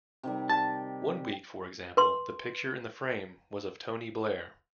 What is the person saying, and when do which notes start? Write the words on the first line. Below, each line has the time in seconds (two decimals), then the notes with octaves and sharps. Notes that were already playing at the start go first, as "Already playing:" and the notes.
One week, for example, the picture in the frame was of Tony Blair.
0.23 C3 D#3 G3
0.49 G4 A5
1.97 B4 C6